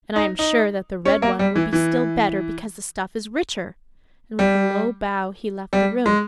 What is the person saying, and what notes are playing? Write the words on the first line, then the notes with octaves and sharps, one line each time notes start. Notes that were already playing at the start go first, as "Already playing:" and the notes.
'And I am sure that the red one will be still better, because the stuff is richer,' and with a low bow he left the room.
D#4
D#4
C#4
A#3
G3
E3
E3
G3
G3
G#3